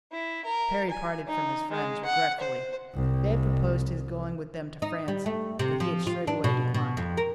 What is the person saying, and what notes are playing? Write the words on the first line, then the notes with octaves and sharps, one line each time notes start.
Parry parted from his friends regretfully; they had proposed his going with them to France, but he had straightway declined.
E4
A#4
G#5
D#4
G#3
F#5
C5
C2
D#4
G3
A3
C3
F3
F4
D4
B2
B2
F2
A#4